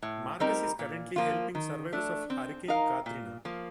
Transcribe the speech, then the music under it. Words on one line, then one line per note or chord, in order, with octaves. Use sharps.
Markus is currently helping survivors of Hurricane Katrina.
A2
G3 C4 D#4 A#4
A#2
F3 A#3 F4
D#3
A3 D4
C4
D#4 A#4 F5
A#2
F3 A#3